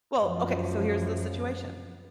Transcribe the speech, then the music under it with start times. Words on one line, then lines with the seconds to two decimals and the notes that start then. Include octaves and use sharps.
Well, okay, so here's the situation,
0.17 F#2 F3